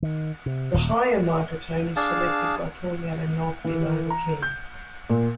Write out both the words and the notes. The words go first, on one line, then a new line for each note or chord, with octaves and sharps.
The higher microtone is selected by pulling out a knob below the key.
D#3
C3
D#1
D4 G#4 F5 A5
E3
A#5
G6
A#2